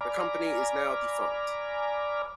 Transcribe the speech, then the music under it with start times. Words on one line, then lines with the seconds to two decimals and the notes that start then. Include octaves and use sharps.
The company is now defunct.
0.01 D5 G#5 A#5 B5 D6 F6